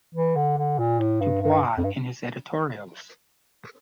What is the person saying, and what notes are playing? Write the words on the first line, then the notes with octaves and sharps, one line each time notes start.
Du Bois in his editorials.
E3
D3
D3
A#2
A2
G2
G2
F2
G2